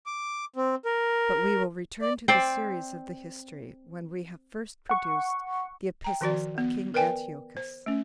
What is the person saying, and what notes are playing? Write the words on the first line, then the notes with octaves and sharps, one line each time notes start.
But we will return to the series of the history, when we have first produced the epistles of king Antiochus.
D6
C4
A#4
D5
C4 C5 D5
F#5 C#6
G5 A#5
D#3 F3 F#4 D5
B3
A#4 B4 D5 G5 G#5
C5
A3 C#4